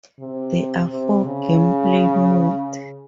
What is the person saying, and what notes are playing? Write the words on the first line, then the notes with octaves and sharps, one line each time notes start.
There are four gameplay modes.
C3
C3
C#3